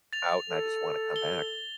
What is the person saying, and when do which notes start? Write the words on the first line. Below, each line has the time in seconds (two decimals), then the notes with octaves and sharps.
out and I just wanna come back.
0.13 A6 F7
0.50 A4
1.16 G7